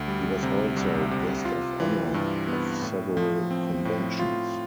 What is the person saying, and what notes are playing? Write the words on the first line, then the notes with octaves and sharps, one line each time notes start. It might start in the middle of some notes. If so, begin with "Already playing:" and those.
He was also Guest-of-Honour of several conventions.
Already playing: D2
G3
C3
C2
C3
F4
E3
G2
B3
A2
F3
C4
A2
F4